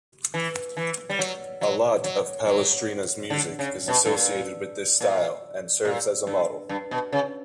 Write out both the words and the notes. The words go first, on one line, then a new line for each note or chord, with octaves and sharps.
A lot of Palestrina’s music is associated with this style and serves as a model.
E3
E3
G3
F#3
F#3
F#3
F#3
D3
C#3
B2
G2
A#2
A#2
A#2
G2
G2
B2
C#3